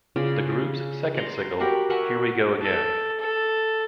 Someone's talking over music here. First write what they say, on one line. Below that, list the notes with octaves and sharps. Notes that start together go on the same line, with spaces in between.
The group's second single, Here We Go Again!
C#3 F4 D5
D5 A#5 C6
F#4 G4 A#4 B5
A#4 E5 F#5 G#5
A4
A4